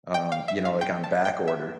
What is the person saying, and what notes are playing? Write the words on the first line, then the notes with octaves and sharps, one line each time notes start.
um, you know, like, on back order.
G5
F5
E5
F5
G5
A5
G5
E5